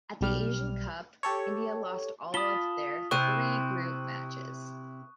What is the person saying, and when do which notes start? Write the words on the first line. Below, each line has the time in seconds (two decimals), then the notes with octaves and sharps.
At the Asian Cup, India lost all of their three group matches.
0.21 B1 G3 F6
1.23 G4 A4 C#5
2.34 F4 A5 B5 D#6 G7
3.11 C3 C4 E4 C#6 F#6 D#7